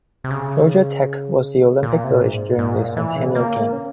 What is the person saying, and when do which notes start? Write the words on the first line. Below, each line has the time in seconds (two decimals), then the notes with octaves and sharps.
Georgia Tech was the Olympic Village during the Centennial Games.
0.24 C3
0.31 C#3
1.83 A#2
2.04 C3
2.13 A#2
2.21 G#2
2.59 G#2
2.78 A#2
2.97 E3
3.16 C#3
3.35 A#3
3.73 C#4